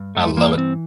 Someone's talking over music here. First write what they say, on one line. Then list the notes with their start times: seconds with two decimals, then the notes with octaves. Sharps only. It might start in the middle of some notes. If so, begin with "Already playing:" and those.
I love it.
Already playing: G2
0.15 A3
0.37 E3 A#3
0.58 C4